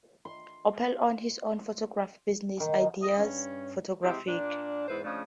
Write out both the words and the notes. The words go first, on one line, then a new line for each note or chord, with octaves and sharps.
Opel owned his own photography business, Ideas Photographic.
C6
D#3
D#5
G2 C#4
C3 G#3 C4 E4 G4
A#2 D4
E2 G#2 E4 B4 C5
C#3 F3 G#3 A3 D4